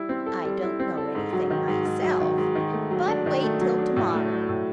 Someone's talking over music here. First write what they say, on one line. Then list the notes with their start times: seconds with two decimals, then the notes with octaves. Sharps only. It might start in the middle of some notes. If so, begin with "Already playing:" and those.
'I don't know anything myself, but wait till to-morrow.
Already playing: G3 E4
0.09 C4
0.26 A4
0.44 G3
0.62 E4
0.80 C4
0.97 A4
1.15 G#2
1.33 F#3
1.50 D#3
1.68 G#2
1.85 G#2
2.03 F#3
2.21 D#3
2.38 G#2
2.55 D#3
2.73 A3
2.91 F#3
3.08 D4
3.26 D#3
3.43 A3
3.61 F#3
3.78 D4
3.96 A2
4.14 A3
4.32 F#3
4.49 A2